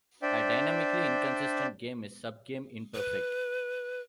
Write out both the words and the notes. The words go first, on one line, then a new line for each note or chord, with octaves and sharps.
A dynamically inconsistent game is subgame imperfect.
D4 C5 D5 E5 G5
B4